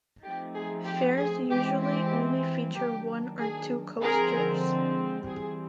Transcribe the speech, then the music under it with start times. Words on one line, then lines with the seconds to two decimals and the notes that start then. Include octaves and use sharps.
Fairs usually only feature one or two coasters.
0.24 F3 A3 C4 D#4 G4
0.56 G#4
0.87 G4
1.18 G#4
1.50 E3 G#3 C4 G4
1.82 G4
2.76 D#3 F#3 A#3 D4 G4
3.39 G#4
4.01 D3 F3 G#3 C4 G#4 A#4
5.27 E3 G3 C4 G#4